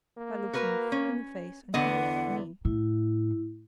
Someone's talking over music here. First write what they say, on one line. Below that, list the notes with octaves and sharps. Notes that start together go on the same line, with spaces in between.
I looked him full in the face, and he looked at me.
A#3
F#4 A#4 B4
C#4
E2 D3 B3 D#5 F#5
A2 E4